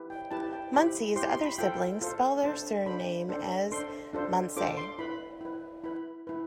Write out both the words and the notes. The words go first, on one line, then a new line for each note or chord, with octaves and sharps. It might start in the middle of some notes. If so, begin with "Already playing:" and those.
Muncie's other siblings spell their surname as "Munsey".
Already playing: E4 G4 B4
G5
E4 G4 B4 A5
G5
E4 G4 C5 B5
E4 G4 C5 C6
C6
B5
F4 A4 C5 G5
F4 A4 C5
D4 A4 C5 A5
D4 A4 C5 B5
D4 A4 C5
D4 A4 C5 C6
D4 F4 A4 C5
D4 F4 A4 C5 D6
C6
E4 B4 B5
E4 B4
E4 B4 B5
E4 B4